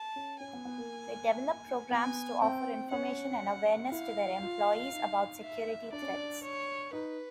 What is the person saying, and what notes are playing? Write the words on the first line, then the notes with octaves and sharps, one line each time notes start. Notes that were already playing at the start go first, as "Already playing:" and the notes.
They develop programs to offer information and awareness to their employees about security threats.
Already playing: A5
C#4
C#4 G#5
B3
B3
A#3
B3 G#5
C4 G5
C#4 F#5
E4 F5
F4
D#4
E5
D4 D5
C#4
D4
C#5
D#4 B4